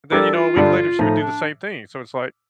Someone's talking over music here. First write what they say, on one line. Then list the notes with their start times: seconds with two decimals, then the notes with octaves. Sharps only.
then, you know, a week later, she would do the same thing. So it's like
0.12 G3 D4 G4 A4 A#4
0.33 F4
0.56 G2 D3 G3 D4 A4
0.99 A2 F3 A3 D#4
1.21 D4